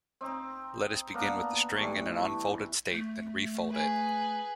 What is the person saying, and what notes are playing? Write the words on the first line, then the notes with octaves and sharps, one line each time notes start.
Let us begin with the string in an unfolded state, then refold it.
C4 D#4
A#3 B3 D4 A#4
E3 G3 A3
A3
G#4 B4